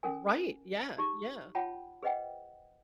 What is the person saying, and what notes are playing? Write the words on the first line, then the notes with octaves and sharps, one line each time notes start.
Right, yeah, yeah.
C#4 A4 A#4 G#5
D#4 G4 G#4 C#6
F4 C#5 F#5 G5 A5 B5
G#4 B4 C5 D#5 F#5 G5